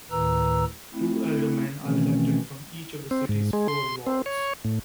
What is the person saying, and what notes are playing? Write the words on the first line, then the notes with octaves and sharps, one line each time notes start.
Two aldermen are elected from each of the city's four wards.
D2 A2 D#3 B4 A#5 E6
A3 C4 E4
B2 D#3 E3 A3 C4 C#4
C4
G#2
G#3
C6
C4
C#5
A2